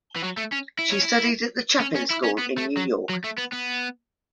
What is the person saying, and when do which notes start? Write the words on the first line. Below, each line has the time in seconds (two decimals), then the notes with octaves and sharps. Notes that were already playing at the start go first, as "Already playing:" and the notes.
She studied at the Chapin School in New York.
0.16 E3
0.23 F#3
0.37 A3
0.52 C#4
0.79 E4
0.90 C#4
1.02 E4
1.80 C#4
1.95 C#4
2.10 E4
2.24 C#4
2.38 B3
2.58 A3
2.77 F#3
3.09 F#3
3.24 A3
3.38 B3
3.53 B3